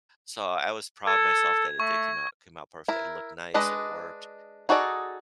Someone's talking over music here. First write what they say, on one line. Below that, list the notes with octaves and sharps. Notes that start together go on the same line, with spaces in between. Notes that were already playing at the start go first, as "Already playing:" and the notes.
So, I was proud of myself that it did came out came out perfect. It looked nice, it worked.
A4 G#6
A3 C#6
E4 A#4
G#3 D4 B4 D#5
D#4 F#4 G#4 A4 D5